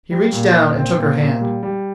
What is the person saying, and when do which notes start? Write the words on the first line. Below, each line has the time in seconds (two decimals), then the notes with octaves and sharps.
He reached down and took her hand.
0.11 G3
0.33 A#2
0.55 A#2
0.76 C4
0.98 A#2
1.20 A#2
1.41 G3
1.63 G3